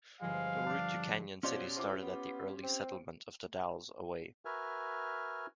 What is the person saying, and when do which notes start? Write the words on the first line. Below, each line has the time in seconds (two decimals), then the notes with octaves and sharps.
The route to Canyon City started at the early settlement of The Dalles, away.
0.21 G1 F3 G#3 F5
0.66 D4
1.43 B2 F3 C#4 G4 C#5 D5 C6
1.77 C3 F4 D6
2.02 B3
2.64 C4
4.45 F#4 A#4 B4 E5 G#5 F6